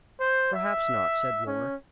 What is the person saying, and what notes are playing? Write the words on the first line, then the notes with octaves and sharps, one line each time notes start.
"Perhaps not," said Moore.
C5
E5
C#4